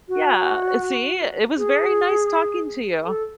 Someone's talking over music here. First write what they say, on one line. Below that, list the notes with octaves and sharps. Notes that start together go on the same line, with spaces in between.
Yeah. See? It was very nice talking to you.
F#4
G#4
A4